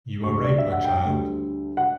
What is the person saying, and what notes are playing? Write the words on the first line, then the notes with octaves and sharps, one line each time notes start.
You are right, my child.
D2 D3 G3 C#6
D5
E5
F#5
G5
D2 D3 G3
F#5